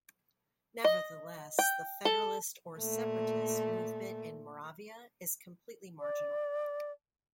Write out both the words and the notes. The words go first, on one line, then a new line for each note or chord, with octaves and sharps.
Nevertheless, the federalist or separatist movement in Moravia is completely marginal.
D#5
G5
A4
A#2 A3
D5